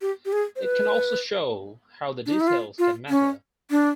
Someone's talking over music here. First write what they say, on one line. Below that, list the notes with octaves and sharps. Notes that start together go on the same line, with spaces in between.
It can also show how the details can matter.
G4
G4
G#4
C5
B4
D4
D#4
E4
F4
F4
C#4
D4